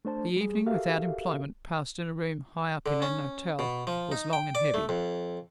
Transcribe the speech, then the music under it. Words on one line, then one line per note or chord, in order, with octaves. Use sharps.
The evening, without employment, passed in a room high up in an hotel, was long and heavy.
A3 D4 C5 A5
G3 G#4
F#4 G4 A4 A#4 E5 F5
D3
C#4
B2
F3
D#4
G5
D5
A3
F2